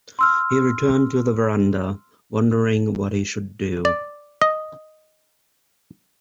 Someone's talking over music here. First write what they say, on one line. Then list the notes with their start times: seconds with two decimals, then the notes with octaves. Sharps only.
He returned to the verandah wondering what he should do.
0.19 C6 E6 F6
3.85 D5
4.41 D#5